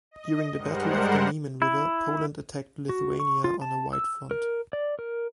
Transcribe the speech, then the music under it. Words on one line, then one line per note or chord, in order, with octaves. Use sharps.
During the Battle of the Niemen River, Poland attacked Lithuania on a wide front.
D#5
G2 G3 G#3 A#4 C5 F#5
E4
F#4
C#6
F4
A5
E6
A#4
D5
A#4